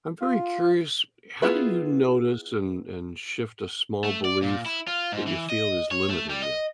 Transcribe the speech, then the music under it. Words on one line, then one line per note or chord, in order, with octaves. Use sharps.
I'm very curious. How do you notice and and shift a small belief that you feel is limiting you?
F4
B3 E4 F4 G#4 B4
A3
D5
A#2
E4
F4
G#2
E3
D#5
C#5
A3
G3
D#5